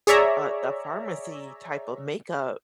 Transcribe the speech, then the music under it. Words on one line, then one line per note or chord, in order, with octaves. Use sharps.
a a pharmacy type of makeup
G#4 C#5 D5 E5 A#5